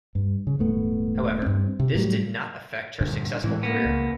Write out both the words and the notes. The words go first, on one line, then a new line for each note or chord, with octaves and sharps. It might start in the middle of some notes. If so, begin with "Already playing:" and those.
However, this did not affect her successful career.
G2
C#3
D#1 G#2 A3 B3
G2 C4
C3
A2 F#3 G3
G2 A#2 D3
A2 E3 G#3 C4
A#3 B3
C#2